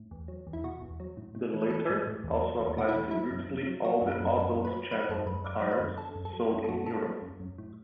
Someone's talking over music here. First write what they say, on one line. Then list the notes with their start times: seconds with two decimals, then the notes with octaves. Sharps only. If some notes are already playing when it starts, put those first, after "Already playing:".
The latter also applies to virtually all the Adult channel cards sold in Europe.
Already playing: A2
0.11 E2
0.28 F#3
0.47 E2
0.53 E4
0.64 B2 F#4
0.82 E2
1.00 F#3
1.17 A2
1.35 A2
1.54 E3
1.61 B4
1.70 E3 A4
1.89 A2
2.07 A2
2.24 E2
2.42 F#3
2.60 E2
2.77 B2 F#4
2.89 E4
2.96 E2
3.11 F#3 E4
3.31 F#2
3.49 F#2
3.67 F#3
3.85 F#3 F#4
4.02 F#2
4.11 B4
4.20 F#2
4.38 F#2
4.56 F#2
4.65 B4
4.73 F#3
4.91 F#3 B4
5.09 F#2 A4
5.26 F#2 B4
5.44 F#2 D5
5.60 F#3 D5
5.71 B4
5.80 F#2
5.97 D3 A4
6.15 F#2
6.25 A4
6.33 F#3
6.51 F#2 E4
6.64 A4
6.69 F#2 F#4
6.86 F#3 A4
7.04 F#3
7.22 F#2
7.40 F#2
7.58 A2